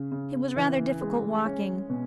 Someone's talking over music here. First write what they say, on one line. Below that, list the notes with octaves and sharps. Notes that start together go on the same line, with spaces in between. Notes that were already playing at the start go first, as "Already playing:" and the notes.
It was rather difficult walking.
Already playing: C#3
C#3
E3
G#3
C#4
B2